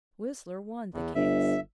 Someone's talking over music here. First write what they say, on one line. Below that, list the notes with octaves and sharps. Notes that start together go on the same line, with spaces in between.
Whistler won the case.
E2
G1 E5